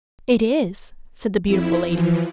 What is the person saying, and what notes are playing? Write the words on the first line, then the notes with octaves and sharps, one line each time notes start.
"It is," said the beautiful lady.
F2 E4
E3 F3